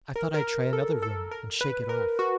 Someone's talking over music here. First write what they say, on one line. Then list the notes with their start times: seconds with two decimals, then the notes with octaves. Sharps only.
I thought I'd try another room, and shake it off.
0.16 A#4
0.34 A#4
0.73 A4
1.02 A4
1.31 A#4
1.61 B4
1.89 A#4
2.19 F#4